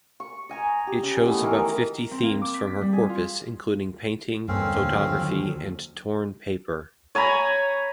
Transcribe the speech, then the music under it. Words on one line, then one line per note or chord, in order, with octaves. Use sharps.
It shows about fifty themes from her corpus including painting, photography and torn paper.
C#6
D#5 G#5 A#5
G4
C#3
E3 G#3 A3 B3
D#3 E3 A#4
C4
A#3
D6
B6
B6
G3
G#4
F4
E2 G2 D3 A#3 C4 C#4 F5
D#2 D3 F3 F#3
C#5 G#5 A#5 B5